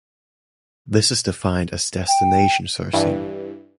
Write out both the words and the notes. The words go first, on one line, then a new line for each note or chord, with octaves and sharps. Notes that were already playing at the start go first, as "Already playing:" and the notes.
This is defined as "destination" sourcing.
G5
G2 E3